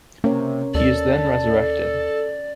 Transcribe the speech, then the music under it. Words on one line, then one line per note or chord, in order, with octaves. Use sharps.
He is then resurrected.
C3 A#3 C#4 A#4 C#5
D#2 A4 D5